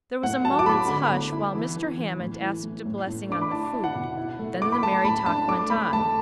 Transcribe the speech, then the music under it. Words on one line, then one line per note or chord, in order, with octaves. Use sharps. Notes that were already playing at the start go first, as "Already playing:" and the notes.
There was a moment's hush while Mr. Hammond asked a blessing on the food; then the merry talk went on.
A2 F#5
F#3 A5
D6
A2 B5
D3 B5
B3
E4
E3
E3
E3
A2
E3
A2
A2
A2
D4 D6
B5
E4 A5
E4
F#5
B2
E4
A3
A3 D6
B5
A3 A5
A2 B5
D4 A5
A3 D6
A3 B5
A3 A5